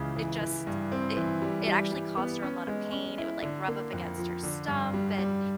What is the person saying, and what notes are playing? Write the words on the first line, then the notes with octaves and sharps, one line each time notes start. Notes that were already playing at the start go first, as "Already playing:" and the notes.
It just it it actually caused her a lot of pain, it would, like, rub up against her stump, and
Already playing: C#2 C#3 E3
E3
E3
G2
C4
E3
G3
G3
G3
B3
C#4
G#3
C#4
E4
D3
A#3
F2
F3
D3
G2
G3
G3